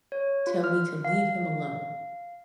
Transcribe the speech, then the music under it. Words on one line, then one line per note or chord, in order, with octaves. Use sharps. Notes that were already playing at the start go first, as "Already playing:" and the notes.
tell me to leave him alone?
C#5
F4
F6
F5